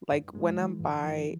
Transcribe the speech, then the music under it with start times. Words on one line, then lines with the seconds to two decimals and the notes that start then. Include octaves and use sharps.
like, when I'm by
0.12 G2
0.35 G#3
0.58 E3
0.80 G2
1.04 E3